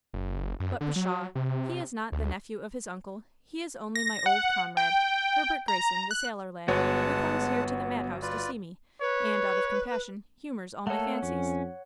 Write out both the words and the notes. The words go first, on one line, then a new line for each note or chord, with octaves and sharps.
But, pshaw! he is not 'the nephew of his uncle;' he is only my old comrade, Herbert Greyson, the sailor lad, who comes here to the madhouse to see me, and, out of compassion, humors all my fancies.
F#1
F#2
D3
F#3
C3
D2
A#6
F#5
G5
A#5
F#6
G1 G#3 B3 F#4 C#5 F#5 A5
F4 B4 D5
B4 C#5
A3 A#3 A4 C#5 F#5
F2 C#4